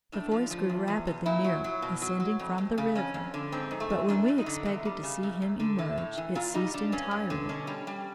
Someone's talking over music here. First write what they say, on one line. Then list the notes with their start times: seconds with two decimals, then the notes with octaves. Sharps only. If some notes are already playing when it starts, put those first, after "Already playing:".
The voice grew rapidly nearer, ascending from the river, but when we expected to see him emerge, it ceased entirely.
0.12 A2 D4
0.31 F3
0.51 F3
0.70 E2
0.88 E2
1.07 B2
1.26 A#2 E4
1.44 F#3
1.64 F#3
1.82 B2
2.02 F#3
2.20 F#3
2.39 F2
2.58 F2
2.78 C#3
2.95 F2 C#4
3.14 F2
3.34 D3
3.52 G#2 C4
3.71 G#2
3.80 A3
3.90 E3
4.09 F#2 D4
4.28 F#2
4.38 D#4
4.46 D3
4.65 E2
4.85 G3
5.03 C#3
5.23 F#2
5.42 F#2
5.60 D3
5.78 A2 E4
5.98 A2
6.17 E3
6.35 A#2 F4
6.54 G3 D#4
6.74 G3 D4
6.92 G2 C#4
7.11 G2
7.30 D3
7.49 B2 C#4
7.67 G3
7.87 G3